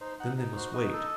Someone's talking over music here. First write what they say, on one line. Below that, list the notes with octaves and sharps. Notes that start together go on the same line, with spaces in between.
Then they must wait.
D#4 C5
D#4 F#5
D#4
F#4 C5
D#4 D#5
A4